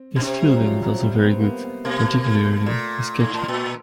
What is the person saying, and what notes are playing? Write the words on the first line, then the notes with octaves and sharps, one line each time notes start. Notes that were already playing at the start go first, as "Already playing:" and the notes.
His fielding is also very good, particularly his catching.
Already playing: C4
B2 C4
C3 C#4
G3
F#3
F3
F#3
G3
B3
C4
A#3
B3
B3
B2 A#3
A#3
A3
A#2 A3
G#2
A2
A#2